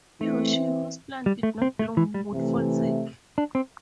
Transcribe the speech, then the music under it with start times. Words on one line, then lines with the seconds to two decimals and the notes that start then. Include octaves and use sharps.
He or she whose plant did not bloom would fall sick.
0.20 E3 A3 C4 E4
1.26 G3
1.43 A3
1.62 C4
1.79 A3
1.97 E3
2.14 G3
2.32 C3 E3 A3
3.38 D4
3.55 C4